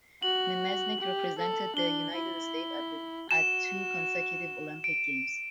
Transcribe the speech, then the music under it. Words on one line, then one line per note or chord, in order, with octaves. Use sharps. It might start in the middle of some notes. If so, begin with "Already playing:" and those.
Namesnik represented the United States at two consecutive Olympic Games.
F#4 F#7
G4
A4
D4 G7
E4
F#4 E7
D7